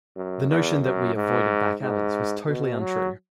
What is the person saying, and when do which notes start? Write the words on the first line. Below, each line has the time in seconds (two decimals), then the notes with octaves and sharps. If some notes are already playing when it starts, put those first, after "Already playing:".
The notion 'that we avoided back alleys was totally untrue'.
0.16 F#2
0.50 E2
0.82 F#2
1.15 G#2
1.81 G#2
2.48 B2
2.80 F#3